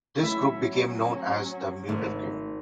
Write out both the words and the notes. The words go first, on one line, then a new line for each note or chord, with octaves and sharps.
This group became known as the Muiderkring.
F#3 A3 C#4 E4 E5
G#1 A3